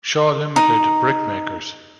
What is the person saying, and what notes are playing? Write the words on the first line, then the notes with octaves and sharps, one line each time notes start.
Shaw Limited, brickmakers.
D#4